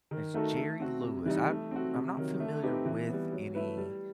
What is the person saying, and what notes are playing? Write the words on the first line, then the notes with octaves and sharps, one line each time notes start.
It's Jerry Lewis, I I'm not familiar with any
D#3
A3 D#4 F#4 A4
A3
C4 F#4
C3
E3 G3 D#4
A3
C4 F#4
C3
D#3 F#3
A3
C4 D#4 G4 B4
E3
G3 B3
F#3
A3 E4 B4
G3